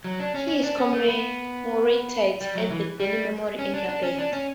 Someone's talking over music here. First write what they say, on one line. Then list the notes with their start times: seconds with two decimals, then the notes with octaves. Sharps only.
He is commemorated at the Delhi memorial India Gate.
0.04 F#3
0.20 D4
0.35 C#4
0.48 C#4
0.63 D4
0.78 C#4
0.93 A3
1.08 B3
2.41 G3
2.55 F#3
2.71 E3
3.00 G3
3.59 C#4
3.74 D4
3.89 D4
4.03 C#4
4.19 D4
4.33 C#4